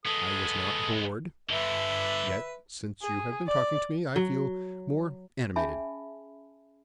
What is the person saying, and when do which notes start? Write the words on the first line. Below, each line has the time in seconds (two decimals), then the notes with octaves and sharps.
"I was not bored; yet since you have been talking to me, I feel more animated."
0.05 G#3 B3 A4 D#6
1.50 G2 D3 B4 E5
3.02 G#4
3.47 D5
4.16 F#3
5.56 C#4 G#4 E5 G#5 A5 B5